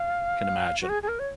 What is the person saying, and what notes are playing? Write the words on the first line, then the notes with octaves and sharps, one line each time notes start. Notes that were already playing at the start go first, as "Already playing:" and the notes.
Can imagine.
Already playing: F5
F#4
G#4
G#4
A#4
C#5